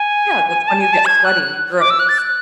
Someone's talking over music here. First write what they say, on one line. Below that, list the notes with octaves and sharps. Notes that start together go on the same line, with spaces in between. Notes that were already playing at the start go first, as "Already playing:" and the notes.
Yeah, that's when you get sweaty and gross.
Already playing: G#5
A5
G#5
A5
G#6
F#6
F#6
D6
E6
F#6
A6
F#6